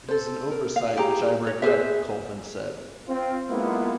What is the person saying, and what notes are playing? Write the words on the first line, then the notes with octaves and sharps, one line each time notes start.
It is an oversight which I regret, Colvin said.
A4 C5
A#4
F5
E4 G4 G#4 A#5
C#5
G#4 B4 C5 E5
C4 F4
B1 G#3 A#3 B3 E4 F4